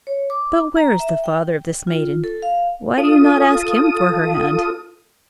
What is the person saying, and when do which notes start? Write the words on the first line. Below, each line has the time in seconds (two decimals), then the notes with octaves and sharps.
'But where is the father of this maiden--why do you not ask him for her hand?
0.07 C#5
0.30 D6
0.77 A#5
1.00 E5
1.24 G5
1.87 F4
2.24 A4
2.42 F5
2.98 F4 A4 D#6